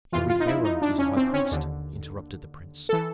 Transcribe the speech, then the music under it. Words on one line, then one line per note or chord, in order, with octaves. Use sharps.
"Every pharaoh is a high priest," interrupted the prince.
F2 C3 E3 F4
F4
D#4
E4
D#4
D4
C#4
C4
C#4
D#2 D3
E3 A4